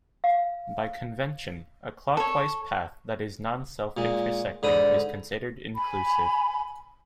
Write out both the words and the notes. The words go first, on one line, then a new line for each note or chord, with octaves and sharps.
By convention, a clockwise path that is non-self-intersecting is considered inclusive.
F5
A4 C#5
A#2 G#3
G#2 D3 B5 D#6
G#5 B5